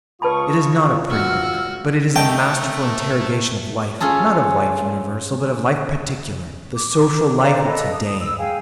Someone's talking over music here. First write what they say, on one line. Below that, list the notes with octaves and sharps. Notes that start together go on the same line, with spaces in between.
It is not a pretty book, but it is a masterful interrogation of life--not of life universal, but of life particular, the social life of to-day.
C#2 F4 B4 A5 B5 C#6 D#6
F#4 E6 F6
A3 A#4 D#5 G5 A5
C#4 F4 G#4 A4
D6
C5 D5 F5 A#5
A4 B4 D#5 B5
D#6
E6
G#4 F5 G5 G#5